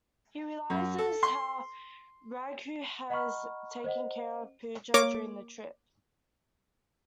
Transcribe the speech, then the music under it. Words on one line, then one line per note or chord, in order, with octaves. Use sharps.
He realises how Raghu has taken care of Pooja during the trip.
F#2
A4
C6
D#5 F#5 A#5 B5 C#6 F6
C5 D#5 F#5
A#3 A#4 C#5 D6